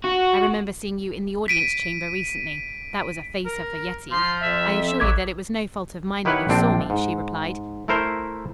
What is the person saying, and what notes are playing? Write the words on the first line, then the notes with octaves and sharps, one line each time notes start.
'I remember seeing you in the audience chamber recently.' That was a facer for Yetive. 'I assure you that it was no fault of mine that you saw me,' she replied.
F#4
B6 D7 D#7
A#4
F3 C6
F2 E5
A1 F#3 D6 G#6
D#3 E4 G4 B4 C#5 F#5
A#1 C4 D4
G#2
A3 E4 A#4 C5